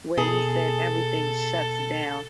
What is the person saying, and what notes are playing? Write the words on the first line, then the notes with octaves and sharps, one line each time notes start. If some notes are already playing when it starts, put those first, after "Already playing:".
where you said everything shuts down,
B2 G#4 A4